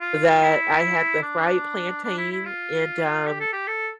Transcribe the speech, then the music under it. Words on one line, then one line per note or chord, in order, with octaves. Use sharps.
that I had the fried plantain and, um,
F4
E4
D4
D4
E4
E4
F4
G4
A4
G4
A4